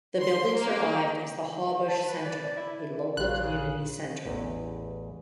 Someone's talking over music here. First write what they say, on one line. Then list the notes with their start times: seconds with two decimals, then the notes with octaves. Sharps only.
The building survived as the Hawbush Centre, a local community centre.
0.20 C6
0.56 A#3
1.88 A5
2.07 B4
2.25 D5
2.56 E4
3.17 A#1 C#3 F4 F#6
4.26 A1 E2